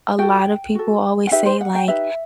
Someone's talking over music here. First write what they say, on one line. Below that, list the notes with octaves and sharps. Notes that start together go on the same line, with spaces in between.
a lotta people always say, like
F#4 A4 G5
F#4 A4
F#5
D#4 G4 B4 E5
C5
F#5
G5
D#4 G4 B4 E5